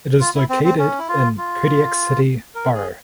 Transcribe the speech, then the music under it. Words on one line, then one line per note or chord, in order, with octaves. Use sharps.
It is located in Kodiak City Borough.
F4
E4
C4
C4
C#4
E4
F4
F4
A#4
G#4